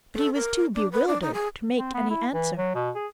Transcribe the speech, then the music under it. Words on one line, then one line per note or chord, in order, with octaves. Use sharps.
But he was too bewildered to make any answer.
A4
A#4
D4
B4
D4
D#4
G#4
C4
B3
E4
E3
F#3
B2
G#4